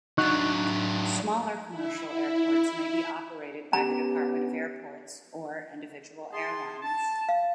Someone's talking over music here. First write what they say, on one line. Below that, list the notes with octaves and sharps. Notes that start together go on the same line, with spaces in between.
Smaller commercial airports may be operated by the Department of Airports or individual airlines.
F#3 D4 D#4 C#6 F#6
E4
E4
B3 C#4 G4 A#5
G#4 A5 C6
A5
F5